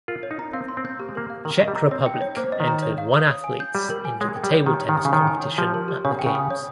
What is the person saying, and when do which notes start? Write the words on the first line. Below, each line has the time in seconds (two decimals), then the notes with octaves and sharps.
Czech Republic entered one athletes into the table tennis competition at the games.
0.08 F4 A#4
0.23 C#5
0.31 D#4
0.39 A#5
0.53 C4 F5
0.68 C6
0.77 C4
0.85 G6
1.00 A#3 G4
1.09 G#3
1.15 A#3 A#4
1.30 F5
1.45 D#3 A#4
1.57 D#3
1.61 D#5
1.68 G3
1.75 A#5
1.91 C4 C#5
2.06 G5
2.14 D#4
2.22 C#5
2.37 A#3 C5
2.52 D#5
2.60 D#3
2.67 A#5
2.82 C#5
2.98 F5
3.14 D#6
3.29 C#5
3.44 G#5
3.60 G6
3.75 G3 G4
3.90 A#4
4.05 G#5
4.20 G#3 C#5
4.36 G5
4.44 G3
4.51 C#5
4.66 D#3 G4
4.81 C#5
4.89 D#3
4.97 D#6
5.05 C#3
5.12 D#3 C#5
5.27 G#5
5.44 C#5
5.58 F3 G4
5.74 A#4
5.88 G4
6.05 C#3 C#5
6.19 G5
6.26 C#3
6.35 D#6
6.50 C#5